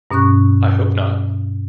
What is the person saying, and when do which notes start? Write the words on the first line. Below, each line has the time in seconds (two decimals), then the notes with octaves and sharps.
I hope not.
0.10 G2 B2 C#4 C#6 F#6